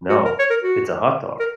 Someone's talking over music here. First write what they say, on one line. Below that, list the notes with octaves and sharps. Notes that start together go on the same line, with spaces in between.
No. It's a hot dog.
F#4
A#4
C#5
A#4
F#4
A#4